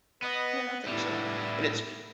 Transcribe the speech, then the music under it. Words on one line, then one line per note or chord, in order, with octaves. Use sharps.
Yeah, I think so, and it's b
B3 B4 D#5
A2 G3 B3 D4 E4